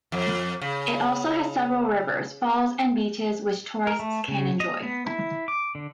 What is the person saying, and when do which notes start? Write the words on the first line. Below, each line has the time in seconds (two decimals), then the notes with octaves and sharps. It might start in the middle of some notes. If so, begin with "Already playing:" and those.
It also has several rivers, falls, and beaches, which tourists can enjoy.
0.12 F2
0.61 C#3
3.87 A#4
3.99 A3
4.28 C#3
4.60 D#5
4.82 B3
5.06 E4
5.48 D6
5.75 D3